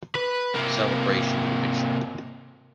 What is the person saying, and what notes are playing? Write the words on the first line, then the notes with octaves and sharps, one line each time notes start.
Celebration division.
B4
C3 A#3